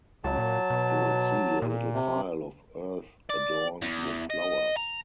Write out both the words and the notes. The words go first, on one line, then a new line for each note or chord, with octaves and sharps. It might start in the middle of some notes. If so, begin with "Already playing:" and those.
You will see a little pile of earth adorned with flowers.
C#2 F#3 A5
A#2
B2
A#2
C3
D5
E2
D#5
A#5